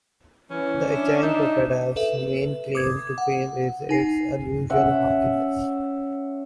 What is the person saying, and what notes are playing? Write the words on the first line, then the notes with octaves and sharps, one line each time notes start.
The Ichang papeda's main claim to fame is its unusual hardiness.
E3 C#4
D4 E5
D#4
A4 B4 E5
D6 D#6 G#6
F#5
D#4 G#5 C7
C#4 E5 F#5